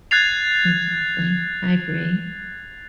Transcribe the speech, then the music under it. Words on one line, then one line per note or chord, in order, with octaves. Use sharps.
Exactly. I agree.
F#6 G#6 A6 C7 F7